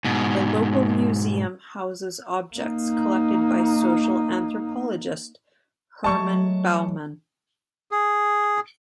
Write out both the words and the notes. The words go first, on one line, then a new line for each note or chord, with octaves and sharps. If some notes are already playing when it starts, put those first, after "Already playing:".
The local museum houses objects collected by social anthropologist, Hermann Baumann.
G#2 B2
A#3 D#4
F#3 G#3 A3 A5 C#6
G#4